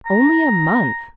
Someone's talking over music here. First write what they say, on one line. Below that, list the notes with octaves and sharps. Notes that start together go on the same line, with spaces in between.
Only a month!
A#5